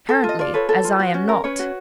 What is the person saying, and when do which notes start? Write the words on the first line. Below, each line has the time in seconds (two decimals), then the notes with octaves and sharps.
"Apparently--as I am not."
0.09 A4
0.24 F4
0.29 D#5
0.39 F4 D5
0.54 A4 B4 C#5
0.69 A4
0.84 F4
0.99 F#4
1.14 C#4
1.29 A#4
1.44 C#4 B4 C#5
1.59 F#4